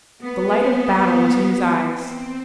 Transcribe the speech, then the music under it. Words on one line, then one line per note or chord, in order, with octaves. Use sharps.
The light of battle was in his eyes.
B3
C4